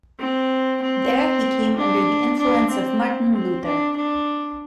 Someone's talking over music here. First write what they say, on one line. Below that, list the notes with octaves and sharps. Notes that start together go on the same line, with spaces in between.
There he came under the influence of Martin Luther.
C4
C4
D4
D4
C4
C4
D4
D4